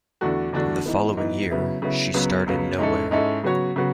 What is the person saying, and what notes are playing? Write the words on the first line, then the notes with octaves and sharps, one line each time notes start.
The following year, she starred in "Nowhere".
E2 D3 A3 D4 F#4
E2 D3 A3 D4 F#4
G#2 E3 B3
G#2 E3 B3
C#3 F#3 B3 E4
C#3 F#3 B3 E4
C#2 C#3 F#3 B3
C#2 C#3 F#3 B3
G#2 G#3 C#4 E4 A4
G#2 G#3 C#4 E4 A4
C#3 F#3 B3 F#4 C#5
C#3 F#3 B3 F#4